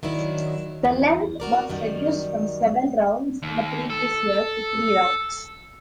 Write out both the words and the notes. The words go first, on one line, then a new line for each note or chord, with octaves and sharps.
The length was reduced from seven rounds in the previous year to three rounds.
D#3 F#3 D4 E4
E2
F#4 A#4 D5
F#2 D#3 G3
D#2
A4